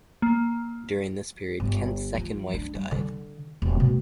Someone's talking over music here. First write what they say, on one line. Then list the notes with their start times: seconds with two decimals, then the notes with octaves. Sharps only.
During this period, Kent's second wife died.
0.22 A#3
1.60 G1
2.15 F3
2.54 D4
2.75 G3
2.91 D3
3.62 D#1
3.80 B2